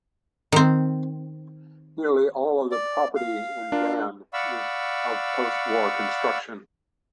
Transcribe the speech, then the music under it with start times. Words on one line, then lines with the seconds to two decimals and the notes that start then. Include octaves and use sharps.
Nearly all of the property in Van is of post war construction.
0.52 D#3 C4
2.71 D5
3.16 F5
3.72 D4 F4 A#4
4.33 D5 F5 F#5 B5 C#6 E6